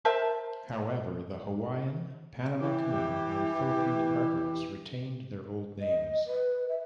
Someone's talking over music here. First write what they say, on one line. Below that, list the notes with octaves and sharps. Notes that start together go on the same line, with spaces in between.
However, the Hawaiian, Panama Canal, and Philippine Departments retained their old names.
A#4 C5 E5 A5
E3 G4
D#5
B4
E5